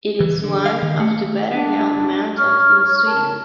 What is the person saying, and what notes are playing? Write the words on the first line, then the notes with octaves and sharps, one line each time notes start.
It is one of the better-known mountains in Sweden.
E3
D3
F5
D#3
A3
D4
C#5 C#6 F6
A#4 A5